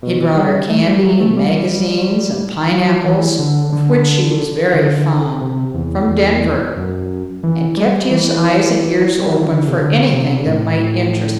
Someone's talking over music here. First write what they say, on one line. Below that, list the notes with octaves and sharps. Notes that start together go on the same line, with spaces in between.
He brought her candy and magazines and pineapples--of which she was very fond--from Denver, and kept his eyes and ears open for anything that might interest her.
B2
G3
A3
G3
F#3
A3
G3
F#3
E3
D3
D3
D3
C3
E2
E2
F#2
E3
G3
E3
G3
F#3
E3
D3
C3
D3
C3
A2